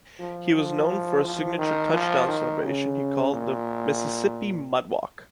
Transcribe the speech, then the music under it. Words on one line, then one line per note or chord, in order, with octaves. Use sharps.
He was known for a signature touchdown celebration he called the 'Mississippi Mud Walk'.
F3
F3
F3
D#3
F3
D#3
C#3
A#2